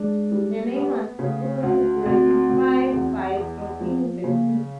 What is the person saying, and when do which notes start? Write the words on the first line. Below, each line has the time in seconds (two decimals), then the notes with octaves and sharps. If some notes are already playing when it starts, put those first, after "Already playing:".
The name was soon Russified, by dropping the "c".
Already playing: G#3 D4
0.32 G3
0.76 B3
1.19 C#3 A3
1.63 D2 C#4
2.06 D2 C4
2.50 D2
2.93 E2
3.37 E2
3.80 F3 B3
4.24 C#3 A#3